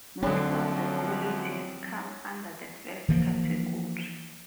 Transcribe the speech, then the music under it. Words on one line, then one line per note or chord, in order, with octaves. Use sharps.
Most of the colleges come under the first category.
F#2 D3 F3 F#3 C4 D4 C#5 G5
E3 F3 A#3